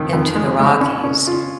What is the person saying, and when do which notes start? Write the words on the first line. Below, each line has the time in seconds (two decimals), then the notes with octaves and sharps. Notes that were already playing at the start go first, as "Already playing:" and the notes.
into the Rockies,
Already playing: F2 D#3
0.13 F2
0.35 G#3
0.59 G#3
0.81 C#4
1.04 C#4
1.27 F4